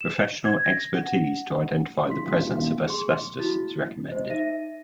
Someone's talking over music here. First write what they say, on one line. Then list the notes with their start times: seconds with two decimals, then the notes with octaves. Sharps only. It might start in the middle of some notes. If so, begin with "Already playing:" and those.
Professional expertise to identify the presence of asbestos is recommended.
0.01 E7
0.45 G#6
0.64 A#6
0.95 F#5
2.10 C6 B6
2.87 G#4 C6
3.40 E4 F#4
4.09 C5 D#5
4.30 D#4 E5 A#6 D#7